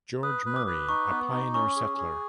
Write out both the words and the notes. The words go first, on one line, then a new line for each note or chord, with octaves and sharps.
George Murray, a pioneer settler.
B4 D#6
B4
D6
B4
D#4 C#6
B3
D#4
C#4 C#6
G#4
G#4